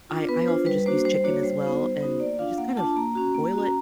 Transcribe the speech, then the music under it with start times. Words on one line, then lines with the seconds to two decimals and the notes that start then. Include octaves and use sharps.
I I often just use chicken as well, and you just kind of boil it,
0.10 D4 F4
0.29 B3 B4
0.48 D4 F4 C5
0.66 G3 B4
0.86 A#3 D4 F#4 C5
1.05 G3 C5
1.24 A#3 D4 F#4 C#5
1.43 G3 C5
1.63 B3 D#4 F#4 C5
1.82 G3
2.01 B3 D#4 F#4
2.20 A#3 D5
2.39 D4 F4 F5
2.58 A#3 F#5
2.77 D4 F4 A5
2.96 A#3 A#5
3.15 C#4 F#4
3.35 A#3
3.53 C#4 F#4
3.63 A#5